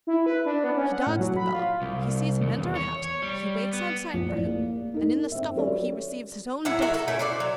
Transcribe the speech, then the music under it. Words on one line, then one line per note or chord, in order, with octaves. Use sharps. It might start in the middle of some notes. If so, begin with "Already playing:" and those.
He dogs the fellow, he sees him enter a house, he waits outside for him, and in the scuffle he receives his own death-wound.
E4
B4
D4
B3
C#4
F#5
A2
F#3
B5
F4
C2
D#2
E2
C#5
C#5
G3
B3
A#1
A2 D5
A#3
D#4 A#4
C4 E5
F#3 C#4 G4 B4 C#5 D5
A2 F#3 E4 F#5
F#4 A#4 E5
A4
B2 A3 C#4 E4
F#4 C5 D5
F#3